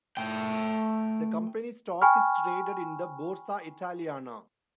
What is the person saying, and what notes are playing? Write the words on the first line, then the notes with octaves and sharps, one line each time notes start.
The company's stock is traded in the Borsa Italiana.
A3 G5
G5 G#5 B5 C#6 F6